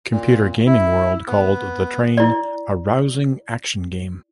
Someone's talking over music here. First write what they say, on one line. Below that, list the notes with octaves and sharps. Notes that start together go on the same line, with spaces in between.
"Computer Gaming World" called "The Train" "a rousing action game".
A#2
E4
B3
E4 D5